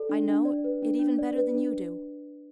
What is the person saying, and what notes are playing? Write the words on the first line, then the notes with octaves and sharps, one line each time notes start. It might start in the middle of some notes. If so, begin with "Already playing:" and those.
I know it even better than you do.
Already playing: A4 D5
D4
D4
D5
B4
D4
D4
D5
B4
D4